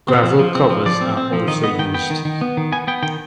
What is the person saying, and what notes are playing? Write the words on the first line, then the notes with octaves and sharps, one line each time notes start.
Gravel covers are also used.
C4
F3
F3
C4
F3
F3 D5
C4
C4
F3
D#3 D#5
B3 D#5
D#3 G5
B3 G5
D#3
D#3
B3
D#3
B3 G#5
B3 G5
D#3 G5